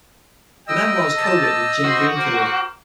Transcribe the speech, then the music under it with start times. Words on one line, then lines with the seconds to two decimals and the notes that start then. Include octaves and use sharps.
The memoir was co-written with Jim Greenfield.
0.68 B4 D#5 G5 E6
1.18 G4 A5
1.84 F#4 C5
2.15 A#4 C5 D6